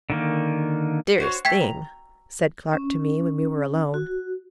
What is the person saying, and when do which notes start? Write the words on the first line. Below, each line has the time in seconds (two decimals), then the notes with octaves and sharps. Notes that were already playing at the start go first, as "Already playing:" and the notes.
'Mysterious thing,' said Clark to me, when we were alone.
0.10 D3 D#3 A#3
1.18 F#4 C5 C#5
1.45 A3 G5 G#6 B6
1.60 A#5
2.73 C#4
3.94 F#4